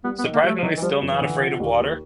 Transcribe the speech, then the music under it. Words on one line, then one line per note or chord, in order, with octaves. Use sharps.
surprisingly still not afraid of water.
G3 B3
B3
D#3
A#3
G3 A3
F3
D#3 F#3
E3
F3 G3
F#2 E3
D3
F3
D#2
D#2